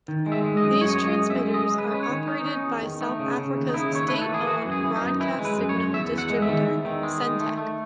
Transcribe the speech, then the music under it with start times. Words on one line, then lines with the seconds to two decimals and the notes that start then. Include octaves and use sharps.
These transmitters are operated by South Africa's state-owned broadcast signal distributor Sentech.
0.08 D#3
0.26 G#3
0.32 E5
0.44 G#3
0.57 D#5
0.63 F#2
0.81 F#2 C#5
0.89 D#5
0.96 C#5
1.00 G#3
1.06 D#5
1.18 F#2
1.30 E5
1.36 G#3
1.54 G#3 D#5
1.72 G#3
1.78 B4
1.91 C#4 B4
2.03 C#5
2.09 D#3
2.27 C#4 D#4
2.46 C#4 D#4
2.64 E2
2.82 D#3
3.01 A3 D#4
3.19 C#3
3.38 C#3
3.56 D#2
3.69 D#4
3.74 C#3 E4
3.92 D#2 C#5
4.08 A3 B4
4.21 A4
4.29 E3
4.34 G#4
4.47 E3 F#4
4.65 F#2
4.72 G#4
4.84 E3
4.96 D#4
5.02 F#2
5.20 E3 E4
5.39 G#3
5.45 B4
5.57 F#2
5.69 C#5
5.75 F#2
5.93 E2 E5
6.11 E2
6.18 F#5
6.30 G#3
6.42 E5
6.49 D#3
6.67 E2
6.85 D#3
7.03 G#3
7.22 D#3
7.40 A3
7.58 A3